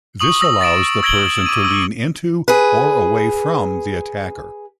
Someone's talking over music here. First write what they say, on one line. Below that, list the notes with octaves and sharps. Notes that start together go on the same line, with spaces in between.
This allows the person to lean into or away from the attacker.
C#6 D#6 F#7
D#6 E6 A#6
A6 A#6 D7 E7
E6 G#6 A#6 D7 F#7 G7
D6 D#7
E6
G#4 B4